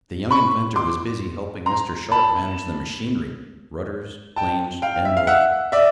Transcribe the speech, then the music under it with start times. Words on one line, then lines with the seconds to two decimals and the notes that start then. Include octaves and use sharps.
The young inventor was busy helping Mr. Sharp manage the machinery, rudders-planes and motor.
0.31 B5 C#6
0.76 C6 D6
1.66 A#5 C6
2.12 A5 B5
4.36 G5 A5
4.82 F5 G5
5.05 E5
5.17 F5
5.27 E5 F#5
5.72 D5 E5